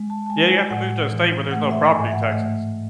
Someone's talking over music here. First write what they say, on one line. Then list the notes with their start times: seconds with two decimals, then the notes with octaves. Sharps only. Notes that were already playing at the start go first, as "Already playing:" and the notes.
Yeah, you have to move to a state where there's no property taxes.
Already playing: G#3
0.10 A5
0.26 A5
0.30 G#3 G#5
0.51 G#5
0.70 A2 F#5
1.11 E3
1.51 A3 F#5
1.71 E5
1.91 G#2 G#5
2.07 E5
2.12 F#5
2.22 E5
2.32 A3 D#5